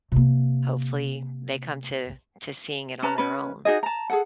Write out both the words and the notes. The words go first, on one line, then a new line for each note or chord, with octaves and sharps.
hopefully, they come to to seeing it on their own.
C3 A#3
C#4 B4 A5 A#5
C#4 B4
D#4 F#4 G#4 D#5
A5 A#5
G#4 A4 F#5